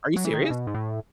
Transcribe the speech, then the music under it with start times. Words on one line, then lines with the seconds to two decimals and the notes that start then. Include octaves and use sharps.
Are you serious?
0.16 F#3
0.25 E3
0.33 D#3
0.42 C#3
0.50 B2
0.67 G#2
0.74 A2